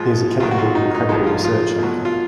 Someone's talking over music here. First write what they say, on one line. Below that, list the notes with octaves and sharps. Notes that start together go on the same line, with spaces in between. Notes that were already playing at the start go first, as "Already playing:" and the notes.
He is a capable and credible researcher.
Already playing: G#2 F3 G#3 F4
F2 D#3 F#3 F4
F#4
F4
D#4
D#4
F2 F3 G#3 D#4
F4
F4
B2 F#3
F4